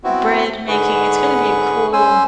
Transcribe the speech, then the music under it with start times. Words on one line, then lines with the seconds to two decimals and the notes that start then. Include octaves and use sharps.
bread making, it's gonna be a cool,
0.04 B3 C4 E4 F#4
0.68 G#2 D3 G#4 B4 C#6
1.93 C#4 C5 G#5 E6